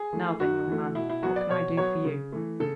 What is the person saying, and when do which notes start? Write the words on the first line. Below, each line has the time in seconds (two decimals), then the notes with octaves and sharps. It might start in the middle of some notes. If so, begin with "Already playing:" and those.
"Now then, young man, what can I do for you?"
Already playing: G#4
0.13 E3 A3
0.40 F#2 F#4
0.68 E3 A3
0.95 B2 E4
1.10 E4
1.23 F#3 B3 F#4
1.36 D5
1.50 B2 C#5
1.77 F#3 B3 C#5
2.05 C#3
2.32 E3 A3
2.60 C#3 A4